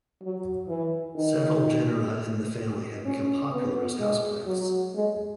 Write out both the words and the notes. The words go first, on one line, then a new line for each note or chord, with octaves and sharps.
Several genera in the family have become popular as houseplants.
F#3
E3
D#3
C#4
B3
G#3
F#3
G#3